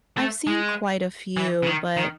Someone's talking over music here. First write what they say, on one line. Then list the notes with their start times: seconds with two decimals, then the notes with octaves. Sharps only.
I've seen quite a few, but,
0.17 A3
0.47 G#3
1.37 E3
1.63 C#3
1.67 D#3
1.97 D#3